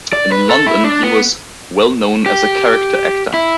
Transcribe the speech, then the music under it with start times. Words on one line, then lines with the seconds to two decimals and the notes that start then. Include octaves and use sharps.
In London, he was well known as a character actor.
0.13 D5
0.32 B4
0.49 A4
0.67 E4
0.84 D4
1.03 B3
2.26 G4
3.34 E4